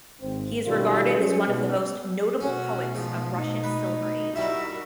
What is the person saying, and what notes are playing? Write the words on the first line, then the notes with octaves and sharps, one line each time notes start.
He is regarded as one of the most notable poets of Russian Silver Age.
G#1 C4
B2 D#3 G3 A3 C#4 F4
F#3 G#3 C#4 G#4
G#2 B2
B2 A3 C#4 F#4
G#2 F3
D#4
B4
G3 D#4 E4 F#4 A#4 E5